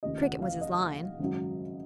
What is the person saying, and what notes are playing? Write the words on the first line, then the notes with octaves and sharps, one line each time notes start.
Cricket was his line.
F1 D#2 C#3 F3 D#5
F#5
F5
D#5
G#1 F#2 C#3 F#3